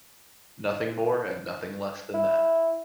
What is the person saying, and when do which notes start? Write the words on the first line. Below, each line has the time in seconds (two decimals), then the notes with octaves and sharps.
Nothing more and nothing less than that.
2.14 E4